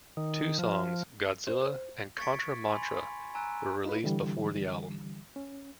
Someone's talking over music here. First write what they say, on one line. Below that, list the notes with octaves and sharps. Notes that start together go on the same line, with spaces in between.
Two songs, "Godzilla" and "Contra Mantra", were released before the album.
D#3
F3
C5
C#6 G#6 A6 B6 C#7 D7
G#5 B5 C6
G#5 A#5 E6 F#6 D7
D#4 F4 B4
D3 E3 G3
C#4